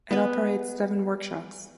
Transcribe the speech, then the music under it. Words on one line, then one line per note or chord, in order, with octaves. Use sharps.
It operates seven workshops.
B3 B4